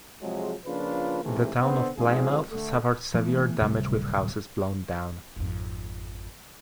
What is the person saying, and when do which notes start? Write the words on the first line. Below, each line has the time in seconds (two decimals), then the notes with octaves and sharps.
The town of Plymouth suffered severe damage with houses blown down.
0.22 C3 F3 F#3 G#3
0.66 C#3 F3 A#3 D4 F4 B4
1.23 G#2 C3 E3 A3
1.59 D3 B3 C4
1.97 G#1 G#2 F3 C4 G#4
2.50 D3 A3
3.14 E3 A3 B3
3.60 D1 C3 G3
5.36 G#1 F2